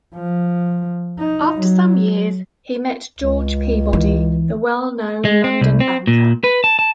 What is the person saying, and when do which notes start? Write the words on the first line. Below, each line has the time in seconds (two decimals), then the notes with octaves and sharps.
After some years, he met George Peabody, the well-known London banker.
0.15 F3
1.19 D#4
1.58 F#3
3.19 C#2
3.93 E3
5.25 G#3
5.44 C4
5.61 C2
5.80 C4
6.07 A#2
6.44 B4
6.64 A5
6.79 A5